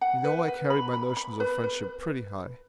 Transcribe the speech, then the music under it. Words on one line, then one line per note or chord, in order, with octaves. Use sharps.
You know I carry my notions of friendship pretty high.
F#5
B4
B4
B5
B5
B5
B4
B4